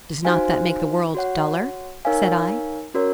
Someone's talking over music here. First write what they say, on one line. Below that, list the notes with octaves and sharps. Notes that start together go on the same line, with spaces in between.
"Does not that make the world duller?" said I.
D#4 F#4 C5 F5 G#5
F#4 C#5 F#5
D#4 A#4 C#5 F5 G#5
C#4 F#4 A#4 C#5